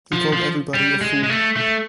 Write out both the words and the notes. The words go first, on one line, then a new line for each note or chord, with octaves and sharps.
He called everybody a fool.
F3
F3
G3
G#3
G#3
A3
A3